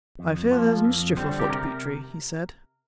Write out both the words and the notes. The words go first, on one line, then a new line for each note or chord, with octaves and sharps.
"I fear there's mischief afoot, Petrie," he said.
F2
F3 A#3
F2
D3 G3 C4
G4
C3 A#4